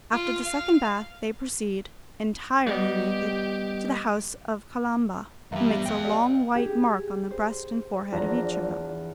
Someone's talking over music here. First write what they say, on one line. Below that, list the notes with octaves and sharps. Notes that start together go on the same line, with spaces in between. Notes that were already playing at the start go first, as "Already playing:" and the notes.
After the second bath they proceed, entirely naked, to the house of Kalamba, who makes a long white mark on the breast and forehead of each of them.
F4
F5
G3 B3 G4 D#5
G2 E3 G3 E5 F5
B3 E5
F5 G5
G4 D5 D#5
G4 G#4
C5
E2 F3 D4 A#5